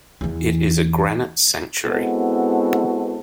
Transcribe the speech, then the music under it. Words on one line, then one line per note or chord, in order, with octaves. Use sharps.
It is a granite sanctuary.
E2 E3
G#3 B3 C4 E4 F#4 A4